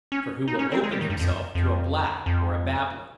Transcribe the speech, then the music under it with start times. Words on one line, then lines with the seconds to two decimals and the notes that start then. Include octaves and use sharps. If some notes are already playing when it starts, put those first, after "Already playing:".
For who will open himself, to a blab or a babbler?
0.12 C#4
0.48 D#4
0.59 C#4
0.72 C4
0.84 G#3
0.92 G3
1.01 D#3
1.10 G2
1.19 F2
1.55 F2
2.26 F2